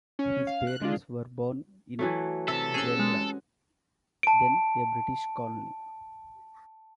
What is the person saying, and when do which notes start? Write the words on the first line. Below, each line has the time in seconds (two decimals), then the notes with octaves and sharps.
His parents were born in Grenada, then a British colony.
0.19 C#4
0.47 F5
0.67 F#6
0.81 G#3 D4 F4
1.99 E3 F#3 A3
2.48 C3 A4 E5 E6
2.74 C#4 F#4 G#4 E6
2.99 G#3
4.23 A5 D7